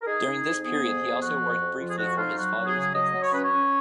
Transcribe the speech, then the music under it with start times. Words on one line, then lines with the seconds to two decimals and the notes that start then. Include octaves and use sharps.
During this period, he also worked briefly for his father's business.
0.02 A#4
0.07 D#4 G#4
0.26 D#4
0.46 F2
0.64 B3 G#4
0.84 F2
1.03 B3
1.22 F3 F#4
1.41 F2
1.60 F2
1.79 F3 F4
1.89 G#4
1.98 F2 F#4
2.17 D#4 F4
2.36 F#3 F#4
2.55 F#3
2.65 G#4
2.75 C#3
2.94 F#3 D#5
3.13 F#3
3.23 C#5
3.33 C#4 B4
3.44 C#5
3.51 C#4